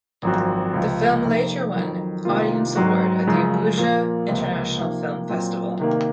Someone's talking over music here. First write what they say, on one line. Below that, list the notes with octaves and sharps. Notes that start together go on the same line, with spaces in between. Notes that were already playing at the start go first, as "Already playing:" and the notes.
The film later won Audience Award at the Abuja International Film Festival.
G#1 F#2 F3 C4 F#4
C#2 C3 F3
F2 C3 F3 A#3 D#4
F2 D#3 F#3
C2 C3 D#3 A#3 F4
G#2 F#3 C4 F#4
F#2 C#3 F3 G#3 C#4
A#2 F3 A#3
C#2 C3 F3 A#3 F4
C3 F3 A#3 D#4
A#2 F#3 C4
C3 D#3 A#3